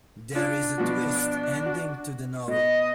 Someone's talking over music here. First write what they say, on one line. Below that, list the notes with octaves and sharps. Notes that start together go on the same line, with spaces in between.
There is a twist ending to the novel.
D4 F4
B2 F3 F#4
F#4
B2 D#5